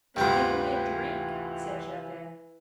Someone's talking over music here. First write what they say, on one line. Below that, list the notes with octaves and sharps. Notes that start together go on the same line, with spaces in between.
"Then give me a drink," said Javert.
D2 G2 C3 C4 F4 B4 G5 A#5
E3